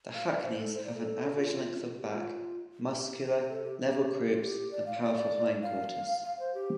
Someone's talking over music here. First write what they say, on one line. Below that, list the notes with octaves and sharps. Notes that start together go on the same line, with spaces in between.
The Hackneys have an average length of back, muscular, level croups, and powerful hindquarters.
F5
D5
C5
A4
C5
D5
A4
G4
F4
G4
F4
G4
A4
G4
G4
F4
G4
D5
F5
D5
F5
F5
C5
G4